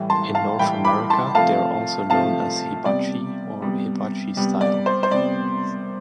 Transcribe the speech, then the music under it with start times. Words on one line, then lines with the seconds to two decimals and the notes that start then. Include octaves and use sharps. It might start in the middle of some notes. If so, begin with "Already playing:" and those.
In North America, they are also known as "Hibachi" or "Hibachi-style".
Already playing: A2 E3 G3
0.10 A5 C6
0.35 F5 A5
0.59 A2 E3 G3 G5 B5
0.85 B5 D6
1.10 A5 C6
1.35 C3 F3 A3 F5 A5
2.10 C3 F3 A3 F5 A5
2.86 C3 G3 B3 D5
3.61 C3 G3 B3
4.36 C3 G3 B3
4.61 D5
4.86 C5
5.03 C5
5.11 C3 G3 B3 D5